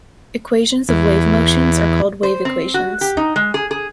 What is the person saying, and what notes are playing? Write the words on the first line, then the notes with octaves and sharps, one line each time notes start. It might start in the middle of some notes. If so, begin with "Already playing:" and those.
Equations of wave motion are called "wave equations".
E2
C5
C4
F#4
G4
D#4
G#3
G#4
G#4